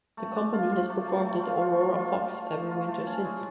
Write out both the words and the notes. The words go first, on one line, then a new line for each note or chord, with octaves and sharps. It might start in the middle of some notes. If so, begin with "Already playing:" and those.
The company has performed at the Aurora Fox every winter since.
A3
D4
F4
F4
A3
A3
A3
F4
F4
F4
F4
F4
F4
A3
F4
A3
C#4
G#3